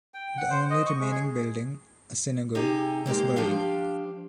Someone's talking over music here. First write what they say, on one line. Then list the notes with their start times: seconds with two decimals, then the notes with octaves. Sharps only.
The only remaining building, a synagogue, was buried.
0.14 G5
0.37 F#5
0.50 C5
0.70 D#5
0.86 C#6
0.99 G#3
1.11 G#4
2.55 C3 D#4 G4 G#4
3.06 G#2 A#3 G4 C5
3.36 F3 D4 G4 F5